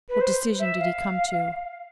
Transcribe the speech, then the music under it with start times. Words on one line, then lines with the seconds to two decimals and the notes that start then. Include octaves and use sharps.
What decision did he come to?
0.09 B4
0.21 C5
0.60 E5
0.80 F5